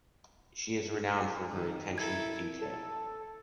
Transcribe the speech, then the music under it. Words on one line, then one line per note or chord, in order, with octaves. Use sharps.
She is renowned for her attention to detail.
D#3
E4 A4 A#4 G#6
A4